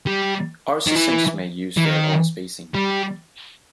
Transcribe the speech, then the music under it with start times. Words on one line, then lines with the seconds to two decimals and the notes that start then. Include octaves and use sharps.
Other systems may use their own spacing.
0.06 G3
0.87 D#3
0.96 E3
1.77 E3
1.85 D#3
2.74 G3